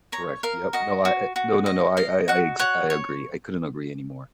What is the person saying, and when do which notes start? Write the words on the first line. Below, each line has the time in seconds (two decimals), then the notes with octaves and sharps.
Correct, yep, no, I eh No, no, no, I I I ex I agree, I couldn't agree any more.
0.12 C#5 A#5
0.43 A#4 F5
0.73 F#4 D#5
1.05 F#4
1.36 F#4
1.66 D#5
1.97 D#5 F5
2.28 F#4 F#5
2.59 C#5 F#5
2.90 C#5